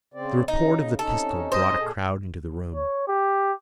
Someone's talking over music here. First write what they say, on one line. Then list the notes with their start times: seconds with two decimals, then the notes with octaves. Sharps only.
The report of the pistol brought a crowd into the room.
0.14 C#3 C4 D5
0.48 C#3 D#4
0.99 C3 C#4 D#4 A4
1.52 C5 D#5
1.77 A#2 G#4 A4
2.75 C#5
3.08 G4